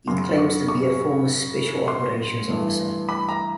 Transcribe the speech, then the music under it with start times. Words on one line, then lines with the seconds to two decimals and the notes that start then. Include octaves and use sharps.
He claims to be a former special operations officer.
0.07 F#2 C#3 F#3 C6
0.38 C#6
0.68 C#6
1.88 C6
2.49 G2 E3 A3
3.09 B5
3.29 A#5